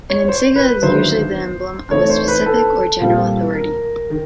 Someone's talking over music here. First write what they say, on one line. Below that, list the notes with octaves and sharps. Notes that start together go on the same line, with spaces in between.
An insignia is usually the emblem of a specific or general authority.
C#5
C5
B4
D#2 D3 F#3 B3 E4 C5
E3 A3 C4 D#4 C#5
C5
B4
A4
A#2 G3 C4 F4
A#4
D#3